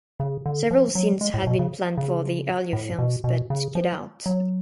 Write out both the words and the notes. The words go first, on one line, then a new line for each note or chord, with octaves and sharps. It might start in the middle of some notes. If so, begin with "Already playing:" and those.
Several scenes had been planned for the earlier films but cut out.
C#3
D3
F3
F#3
G#3
A2
B2
C#3
C#3
A2
B2
B2
C#3
F3
F#3